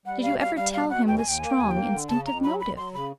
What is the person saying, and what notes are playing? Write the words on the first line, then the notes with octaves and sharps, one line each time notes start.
Did you ever tell him the strong, instinctive motive?'
G3 F#5
B2 F5
G3 F5
G3 F5
B2 F5
B2 F#5
D#2 G5
G#5
D#2 G5
A#3 G#5
G5
D#2 G#5
A#3 G5
D3
C#3 A5
F2 A#5
F#3 B5
F2 B5
F#3 C6
C#3 B5